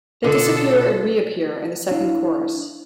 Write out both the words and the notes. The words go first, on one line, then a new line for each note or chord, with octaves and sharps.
They disappear and reappear in the second chorus.
B2 D3 F4 A4 D#5
D4 E4 F5